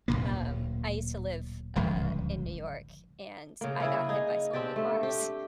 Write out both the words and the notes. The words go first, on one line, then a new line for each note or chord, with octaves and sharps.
um, I used to live, uh, in New York, and I got hit by so many cars.
D1 F#2 A#2 A#3
D1 G1 C#2 F3
C#3 A#3
C#3 E4 G#4
D#4 G#4
C4 D4 G4 D5
A3
G4